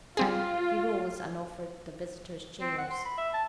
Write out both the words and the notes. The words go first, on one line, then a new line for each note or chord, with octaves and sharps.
He rose and offered the visitors chairs.
G3 C4 F4 G#4
C4
F#5
C6
B5
E5
A5